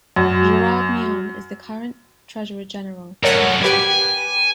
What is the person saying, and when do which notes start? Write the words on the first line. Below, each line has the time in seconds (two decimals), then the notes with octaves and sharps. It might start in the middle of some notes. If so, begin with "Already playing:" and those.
Gerard Myon is the current Treasurer General, from France.
0.16 F#2
3.23 F#2 A2 A#4 C#5 F#5
3.63 G4 B4 G#5 D6